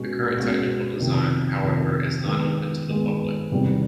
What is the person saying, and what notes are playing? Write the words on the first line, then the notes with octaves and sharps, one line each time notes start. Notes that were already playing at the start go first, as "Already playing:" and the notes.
The current technical design, however, is not open to the public.
Already playing: B2 G#3 C#4 F#4
B2 G#3 C#4 F#4
F2 C3 D#3
F2 C3 D#3
D#3 G#3 B3
D#3 G#3 B3
E2 C3 D#3 G3 C4